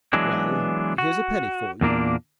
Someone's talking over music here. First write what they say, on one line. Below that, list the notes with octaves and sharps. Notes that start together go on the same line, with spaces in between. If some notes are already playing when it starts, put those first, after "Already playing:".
"Well, here's a penny for you."
E3 F#3 G#3 B3 D4
F#4
E2 A#2 A#3 D4